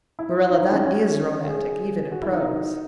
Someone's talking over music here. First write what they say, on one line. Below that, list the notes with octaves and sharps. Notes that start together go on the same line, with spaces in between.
Marilla, that IS romantic, even in prose.
E4
D#4
D#4
C#4
C#4
G#4
F#4
E4
D#4